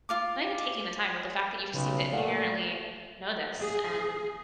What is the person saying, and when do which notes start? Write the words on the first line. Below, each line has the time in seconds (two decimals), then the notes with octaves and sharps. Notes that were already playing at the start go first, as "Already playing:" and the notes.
not even taking the time, but the fact that you just seem to inherently know this and
0.09 F4 F5 D6
1.74 B1 C#3
2.13 A#2 A3 D5 F5 F#5
3.61 G#4